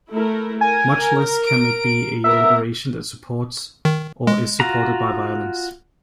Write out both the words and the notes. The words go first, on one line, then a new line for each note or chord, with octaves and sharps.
Much less can it be a liberation that supports or is supported by violence.
A3 E4 A#4
A#4 G#5
D7
B3 A#4 E5
D#3
G#3
F4 F#4 A#5